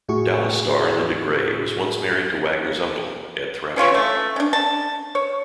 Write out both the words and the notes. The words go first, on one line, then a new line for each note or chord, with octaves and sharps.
"Dallas" star Linda Gray was once married to Wagner's uncle, Ed Thrasher.
A2 E4 F#4 G#4 C#6
E3 C#4 F4 C#5
A3
C#4 D4
A5
C#5